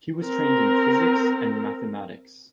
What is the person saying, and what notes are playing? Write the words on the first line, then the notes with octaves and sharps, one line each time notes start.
He was trained in physics and mathematics.
C4 A#4